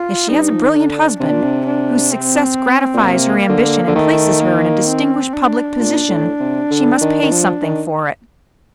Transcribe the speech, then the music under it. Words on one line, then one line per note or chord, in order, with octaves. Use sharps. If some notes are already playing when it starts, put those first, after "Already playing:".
If she has a brilliant husband, whose success gratifies her ambition and places her in a distinguished public position, she must pay something for it.
Already playing: F4
G2 D#4
F3
D#3
D3 D4
C3 D4
A#2
C3
D4
C4
A#2
C3 A#3
D3
D3
D#3 A3
A#3
C4
D4
A#2
A2
C3
D3
D#3
D#3
F3
D#3